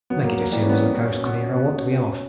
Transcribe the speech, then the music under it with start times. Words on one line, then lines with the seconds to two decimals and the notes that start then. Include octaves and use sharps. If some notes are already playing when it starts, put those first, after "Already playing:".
"Make it as soon as the coast's clear--I want to be off."
0.10 F#3 B3
0.24 A#3
0.39 A#3
0.52 E3 G3
0.63 C#4
0.69 B3
0.73 C#4
0.94 B2 B3
1.04 C#4
1.15 C#4
1.25 B3
1.36 C#4
1.57 B3
1.78 B2 C#4
1.99 C#4
2.13 C#4